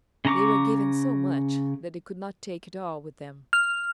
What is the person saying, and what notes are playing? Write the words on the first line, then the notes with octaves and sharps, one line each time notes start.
They were given so much that they could not take it all with them.
C#3 C#4 A#5 C#6 D6
F6